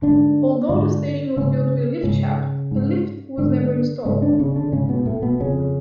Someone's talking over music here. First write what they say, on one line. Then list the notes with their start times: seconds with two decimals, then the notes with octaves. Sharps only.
Although the station was built with a lift shaft a lift was never installed.
0.02 G#2 D3 D4
0.69 G#2 D3 D4
1.37 G#2 C#3 C#4
2.03 G#2 C#3 C#4
2.71 G#2
3.38 G#2 D3 D4
4.05 G#2 C#3 C#4
4.22 D3 D4
4.39 C#3 C#4
4.56 D3 D4
4.72 G#2 C#3 C#4
4.89 B2 B3
5.06 A2 A3
5.22 B2 B3
5.40 F2 C#3 C#4